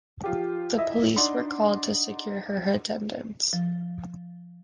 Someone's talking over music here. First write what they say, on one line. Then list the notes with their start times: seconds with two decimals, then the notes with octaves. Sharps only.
The police were called to secure her attendance.
0.24 F3 F4 G4
0.77 E4 D#5 E5
1.16 D4 D#4 D5 F#5 C6
3.53 F3